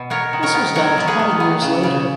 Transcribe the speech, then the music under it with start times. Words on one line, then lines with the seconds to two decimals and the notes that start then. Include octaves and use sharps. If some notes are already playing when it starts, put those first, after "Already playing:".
This was done twenty years later.
Already playing: B2
0.10 B3 A#4 C#5
0.33 D#3
0.43 A#4 C#5
0.55 B3
0.75 F#3 A#4 C#5
0.98 B3
1.08 G#4 B4
1.19 D#3
1.40 B3
1.62 C#3
1.83 C#3